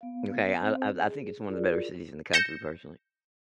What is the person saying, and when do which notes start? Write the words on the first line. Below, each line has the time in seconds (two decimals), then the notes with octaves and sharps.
Okay? I I I think it's one of the better cities in the country, personally.
0.01 B3 F5
0.59 C4 C5
0.99 G#4
1.48 F4 F#4 G#4 A#4 D5
2.33 G6 A#6 C#7 E7